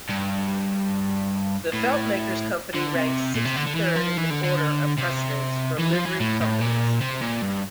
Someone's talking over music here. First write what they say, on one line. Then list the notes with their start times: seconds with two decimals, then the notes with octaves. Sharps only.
The Feltmakers' Company ranks sixty-third in the order of precedence for Livery Companies.
0.10 G2
1.73 A2
2.74 D3
2.95 C3
3.35 A#2
3.45 C3
3.56 D3
3.67 D3
3.76 E3
3.96 F3
4.17 E3
4.30 D3
4.44 D3
4.98 C3
5.79 E3
5.93 F3
6.06 E3
6.20 A2
6.41 A2
6.61 A#2
7.01 C3
7.22 A#2
7.42 G2